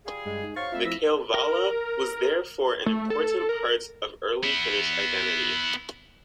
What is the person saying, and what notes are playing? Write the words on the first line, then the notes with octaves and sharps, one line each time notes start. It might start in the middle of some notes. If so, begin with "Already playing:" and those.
The "Kalevala" was therefore an important part of early Finnish identity.
G3 F4 G#4
G2 G#3
D#4
F#3 C5 F5 C#6 A6
F2 A3 C4 F4 E5
F3 E4 E6 A#6 B6
A#4
A3
A4
A#4
B3 E4